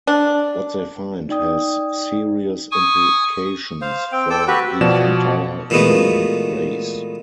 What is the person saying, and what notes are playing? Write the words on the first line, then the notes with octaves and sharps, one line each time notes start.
What they find has serious implications for the entire human race.
D4
D#4 D5 G5 D#6
G#5 C#6 D#6
C5 F5
C4 G5
A4 G5 D6 E6
F#4 G4 B4
B2 F3 D5 E7
A#2 E3 G#3 A3 B3 F#4